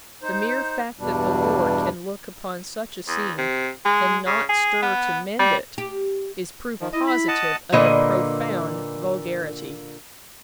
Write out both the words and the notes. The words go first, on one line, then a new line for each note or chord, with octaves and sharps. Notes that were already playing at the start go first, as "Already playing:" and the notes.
The mere fact that the lord can look upon such a scene and not stir to mend it, is proof positive of a profound vulgarity.
D#4 C5
E2 G2 B2 G3 D4
E2
C3
G#3
C#3
G#4
B3
G3
G4
D#3 F3
E4 D#5
B5
D#5 F#5 A5
A#2 D3 A#3 B4 D#5